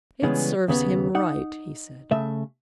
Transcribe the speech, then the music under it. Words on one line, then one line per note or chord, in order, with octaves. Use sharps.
"It serves him right," he said.
C#3 E3 G3 G#3 B3 C#4
D#2 C#3 B3 C#5
D#4 F#5
C#3 A3 E5